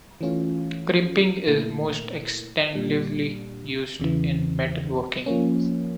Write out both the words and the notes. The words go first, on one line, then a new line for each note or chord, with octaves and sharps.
Crimping is most extensively used in metalworking.
E3 A3 C#4 F4
A#2 A3 E4 A#4
A#2 G3 D4
E2 C#3 E3
F3 A#3 C#4